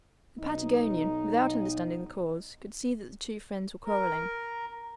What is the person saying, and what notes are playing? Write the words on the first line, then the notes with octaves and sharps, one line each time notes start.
The Patagonian, without understanding the cause, could see that the two friends were quarreling.
B1 D#4
A#4